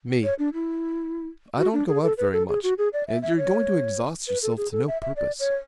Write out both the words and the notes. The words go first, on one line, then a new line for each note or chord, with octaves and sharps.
ME: I don't go out very much, and you're going to exhaust yourself to no purpose.
C#5
D4
E4
F#4
D4
G#4
A4
B4
A4
G#4
F#4
G#4
D5
E5
E5
C#5
B4
A4
G#4
A4
E5
E5
D5
C#5